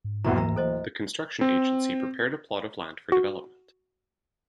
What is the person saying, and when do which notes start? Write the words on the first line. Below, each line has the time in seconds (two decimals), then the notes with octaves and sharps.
The construction agency prepared a plot of land for development.
0.04 G#2
0.25 F#1 D#2 B2 E4 E5 F#5 A#5
0.36 D1 E3 A#3 A#4 E5 A#5
0.56 A4 C5 D#5
1.41 C4
3.12 F#4